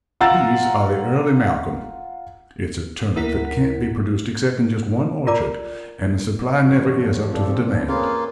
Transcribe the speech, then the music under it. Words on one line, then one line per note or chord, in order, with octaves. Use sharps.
These are the Early Malcolm--it's a turnip that can't be produced except in just one orchard, and the supply never is up to the demand.
F4 F5 F#5 A#5 E6 A6
D2 A#3 E4 A#4 F#5 B6
F4 A#4 D5 A#5 D6
G2 E3 F3 F#4 C#5
C4 F4 A4 D5
A#3 C#4 F4 G#4 B4